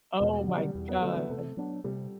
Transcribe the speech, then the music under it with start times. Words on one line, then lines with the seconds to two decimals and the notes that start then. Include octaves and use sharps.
Oh my God.
0.21 E2 B2
0.39 G3
0.48 D3 F#3
0.57 G3
0.75 E2
0.89 B3
1.01 D3 F#3 A3
1.14 B3
1.30 C3 A3
1.57 F#3 B3 D4
1.84 C3 G3